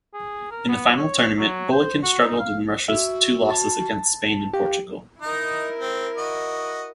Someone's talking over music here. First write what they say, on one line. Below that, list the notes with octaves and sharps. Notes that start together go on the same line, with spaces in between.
In the final tournament Bulykin struggled in Russia's two losses against Spain and Portugal.
G#4
A#4
B3
C#5
F#3
C5
F#4
D#4
F5
F#4 E5
A5
G4 F5
D#4 E4 A#4 D#5
C4
F#4 D#5